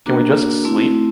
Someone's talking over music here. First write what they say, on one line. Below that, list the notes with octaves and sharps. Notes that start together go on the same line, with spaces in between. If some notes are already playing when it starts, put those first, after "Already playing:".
Can we just sleep?
A#3 D4 F#4 A#4
A3 C4 E4